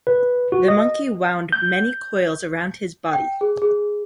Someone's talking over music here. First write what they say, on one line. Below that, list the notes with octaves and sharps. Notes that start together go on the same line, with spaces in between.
The Monkey wound many coils about his body.
B4
F#4
D#5
G6
G5
G#4
G#4